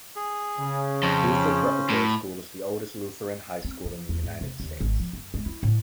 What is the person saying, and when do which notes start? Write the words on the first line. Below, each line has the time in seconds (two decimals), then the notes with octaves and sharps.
Luther Preparatory School is the oldest Lutheran high school in the United States.
0.16 G#4
0.59 C#3
1.03 F2 C#4 C5
1.90 A2
3.65 C4
3.86 F3
4.09 E2
4.24 G#2
4.41 C3
4.60 D#2
4.81 G#1
4.99 F3
5.13 F#2
5.34 G#3
5.46 E4
5.63 A2